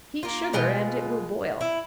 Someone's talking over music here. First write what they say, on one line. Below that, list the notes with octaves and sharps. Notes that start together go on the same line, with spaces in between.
Heat sugar and it will boil.
A#3 F4
B2 G#3 F4 G5
E4